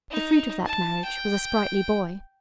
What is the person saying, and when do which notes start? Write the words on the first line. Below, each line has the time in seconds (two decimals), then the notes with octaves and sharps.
The fruit of that marriage was a sprightly boy.
0.11 D#4
0.65 A5
1.04 G5